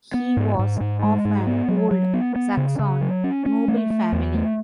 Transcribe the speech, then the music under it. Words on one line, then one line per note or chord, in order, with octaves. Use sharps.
He was of an old Saxon noble family.
B3
G#2
G#2
G#2
G#3
G#2
B3
F#3
F#3
B3
B3
C#3
C#3
F#3
C#4
C#4
A3
A3
E2
A3